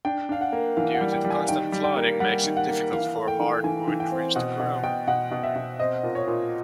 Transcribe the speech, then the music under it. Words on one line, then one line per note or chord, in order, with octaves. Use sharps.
Due to the constant flooding makes it difficult for hardwood trees to grow.
D4 G5
D4 F5
F#5
A#3
E3 F5
F#5
G3
G5
G3
G#5
D#3 G5
G3
G5
A#3
G3 F#5
D#3
F#5
A#3
E3 F5
A3
G5
E3
E3 G#5
E3
G5
C4
B2 F#5
B2
B2 G5
B2 F#5
B2
E5
B2
C4 D#5
A#2
C#5
A#2